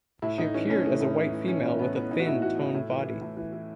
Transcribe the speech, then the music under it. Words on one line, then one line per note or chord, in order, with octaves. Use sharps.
She appeared as a white female with a thin, toned body.
A2 E4
A2 D#4
E3 C#4
A2 C#4
E3 A3
A2
E3
E3
E3 C#4
E3 C#4
A2 B3
E3 B3
A2 D#4
F#4
A2 E4
E3 F#4
A2 E4
A2
E3
E3
A2
E3
E3